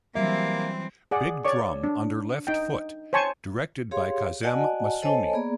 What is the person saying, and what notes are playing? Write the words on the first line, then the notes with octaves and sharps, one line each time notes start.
"Big Drum Under Left Foot" directed by Kazem Masoumi.
E3 F#3 G3 A#3 C4 E5
G#4 D5 F#5
C#5 D5 C#6
D4
D#4 G5
C5 C#5 G#5 A5 C#6
G4 G#4 C#5 F5 C6
F#4 D5 D#5 F#5 G#5 A5
A4 C5 C#5 D#5 G#5 A5
A#3 B3 G#4 D5 A#5